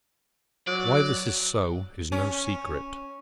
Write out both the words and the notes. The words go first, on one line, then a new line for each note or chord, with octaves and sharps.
Why this is so is no secret.
F#3 D5
C#4